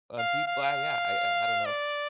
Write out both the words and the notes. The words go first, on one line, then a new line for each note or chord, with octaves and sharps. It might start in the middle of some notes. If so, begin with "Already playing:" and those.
and people uh, yeah, I I I don't know.
F5
F5
D5